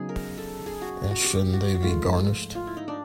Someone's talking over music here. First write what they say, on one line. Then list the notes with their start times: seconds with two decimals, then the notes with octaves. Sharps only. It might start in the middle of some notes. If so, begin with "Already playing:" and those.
And shouldn't they be garnished?
Already playing: C#3 F#3 B3 D#4 G#4
0.09 A#4
0.38 A4
0.66 G#4
0.82 F#4
1.11 F#4
1.24 G4
1.53 F#4
1.74 F#4
1.83 G#2 F3 A3 F4
2.55 F4
2.67 E4
2.77 D#4
2.88 D4